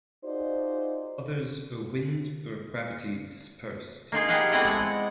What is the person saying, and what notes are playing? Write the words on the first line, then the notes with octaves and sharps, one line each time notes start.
Others are wind or gravity dispersed.
D#4 F4 F#4 G#4 C5 D5
A#3 D#4 F4 G#4
G4 G#4 B4 D#5 F5 F#5
A3 B3 C4 E4 D5 D#5
G#3 F#5